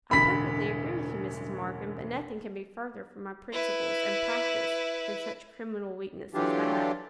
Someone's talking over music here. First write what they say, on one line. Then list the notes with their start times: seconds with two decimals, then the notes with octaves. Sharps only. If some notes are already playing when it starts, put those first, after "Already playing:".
'I perfectly agree with you, Mrs. Markham; but nothing can be further from my principles and practice than such criminal weakness as that.'
0.11 E1 A1 D3 B5 B6
3.52 E4 B4
6.34 D3 E3 F#3 D4 F4 G4